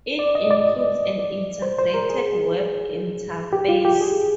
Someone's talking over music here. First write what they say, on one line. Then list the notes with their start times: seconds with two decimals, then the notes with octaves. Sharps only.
It includes an integrated web-interface.
0.19 D5
0.35 D#5
0.51 D5
1.62 C5
1.79 C5
1.94 A#4
2.10 G#4
3.53 G4
3.69 F4
3.85 G4
4.01 G#4